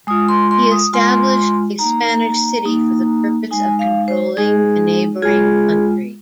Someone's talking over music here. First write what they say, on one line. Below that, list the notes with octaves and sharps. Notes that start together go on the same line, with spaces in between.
He established a Spanish city for the purpose of controlling the neighboring country.
G#3 F4 D#6
C6
C6
D#6
G#3 F4 C6
A#3 D#4 A#5
A#3 D#4
G#3 D#4 G#5
F5
C5
G#3 D#4 G#4
G#3 F4 G#4